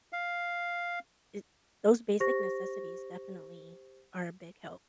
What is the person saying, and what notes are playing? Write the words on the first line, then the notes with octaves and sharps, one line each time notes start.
it those basic necessities definitely are a big help.
F5
G4 C5 C#6 A#6